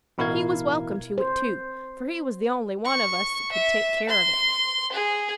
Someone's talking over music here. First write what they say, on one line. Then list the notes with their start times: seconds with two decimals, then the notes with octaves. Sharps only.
He was welcome to it too, for he was the only one of us that could take care of it.
0.18 A1 B2 E4 A#4 F5 G#6
1.18 C5
2.85 C#6
3.52 E5
4.09 C6
4.93 G#4